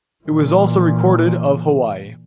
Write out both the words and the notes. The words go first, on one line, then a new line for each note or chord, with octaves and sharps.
It was also recorded of Hawaii.
A#2 E3